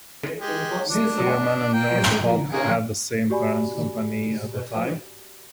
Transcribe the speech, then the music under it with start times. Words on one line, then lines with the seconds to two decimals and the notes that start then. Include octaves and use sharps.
Stearman and Northrop had the same parent company at the time.
0.40 G#3 G4
0.90 D4
1.73 A#3 G5
2.53 D#3 G#3 A#3
3.30 F#4 G4 D5 G#5 B5